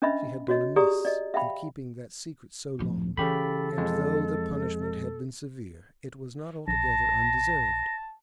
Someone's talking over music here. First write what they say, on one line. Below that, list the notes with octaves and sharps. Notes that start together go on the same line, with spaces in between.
She had done amiss in keeping that secret so long, and though the punishment had been severe, it was not altogether undeserved.
C#4 D4 B4 D#5 E5 B5
F#4 C#5 D#5
G4 G#4 D5 A#5 D#6
D5 D#5
E5 F5 G5 B5
D1 F3
C#3 E3 G4 A4 B5
F2 G#3
A#1 A5 A#6